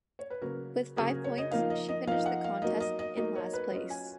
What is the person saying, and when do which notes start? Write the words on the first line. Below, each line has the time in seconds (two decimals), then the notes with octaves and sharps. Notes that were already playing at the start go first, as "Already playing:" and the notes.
With five points, she finished the contest in last place.
0.19 C#5
0.30 B4
0.42 C#3 F#3 A#3 A#4
0.96 C#3 F#3 A#3 G#4
1.10 A#4
1.24 C#5
1.38 D#5
1.51 F3 A#3 D#4 F5
1.70 D#5
1.88 D#5
2.07 F3 A#3 D#4 F5
2.26 F#5
2.44 F5
2.62 F#3 A#3 D#4 D#5
2.80 D#5
2.99 D#5
3.17 F#3 A#3 D#4 D#5
3.35 C#5
3.54 B4
3.72 F#3 C#4 F4 D#5
3.90 G#5